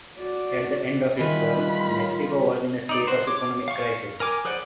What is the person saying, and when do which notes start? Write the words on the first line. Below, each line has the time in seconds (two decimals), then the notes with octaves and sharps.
At the end of his term, Mexico was in a state of economic crisis.
0.18 F#4 D5
1.19 D#3 E3 G3 F4 B4 B5
2.89 D#4 D5
3.07 F#4 C5
3.27 C#5 D6
3.68 F5 C#6
4.20 A#4 G#5 D6
4.45 G#4 B4 C5 D5 F#5